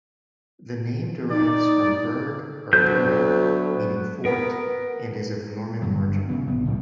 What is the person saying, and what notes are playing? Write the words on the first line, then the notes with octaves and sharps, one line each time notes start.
The name derives from "burg" or "burgh", meaning fort, and is of Norman origin.
D#4 D5
D2 F#3 B3 G6
B3 A#4
G2 D3 F#3
C#3 B3
A#1 B3
C#2 A2 F3 G3